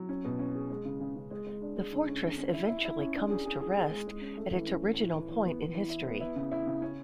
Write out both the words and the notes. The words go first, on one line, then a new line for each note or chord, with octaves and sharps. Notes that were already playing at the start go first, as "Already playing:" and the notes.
The fortress eventually comes to rest at its original point in history.
Already playing: F#3
C#4
B2
C#4
G#4
G#3
C#3
C#3
C#3
G#3
G#3
D4
G#3
D3
C#4
D3
C#4
E4
E4
E4
C#4
D4
G#4
G#4
G#4
G#4
G#3
G#3
C#4
A3
E3
C#4
A2
A2
E3
E3
B3
B3
E3
E4
B3
E4
C#3
E4
C#3
C#4